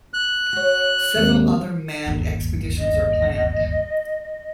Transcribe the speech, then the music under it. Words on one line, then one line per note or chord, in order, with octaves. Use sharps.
Several other manned expeditions are planned.
F#6
F#4 C#5
G#1 D#2
D1 G1 D#2
D#5